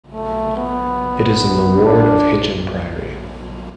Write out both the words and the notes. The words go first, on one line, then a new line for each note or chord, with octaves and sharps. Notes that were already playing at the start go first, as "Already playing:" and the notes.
It is in the ward of Hitchin Priory.
A3
B3
D4